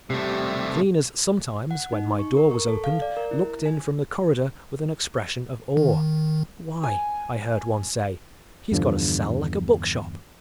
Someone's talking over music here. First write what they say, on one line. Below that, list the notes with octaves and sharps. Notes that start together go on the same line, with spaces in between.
Cleaners sometimes, when my door was opened, looked in from the corridor with an expression of awe. "Why," I heard one say, "he's got a cell like a bookshop."
C3 G3 A3
F#5
D#4
C#6
A#4
C#6
A4
F5
D5
A#4
E4
G#5
D#3
G#5
E2 G2 D3 F3